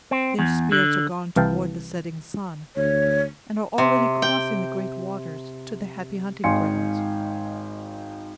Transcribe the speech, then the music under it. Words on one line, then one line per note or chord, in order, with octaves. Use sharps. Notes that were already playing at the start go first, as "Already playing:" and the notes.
Their spirits are gone toward the setting sun, and are already crossing the great waters, to the happy hunting-grounds.
C4
E2
D3
C2 E3 F5 G5 A5
D2 C#5
C3
G5
G#1 D#4 F5 G#5 C6 C#7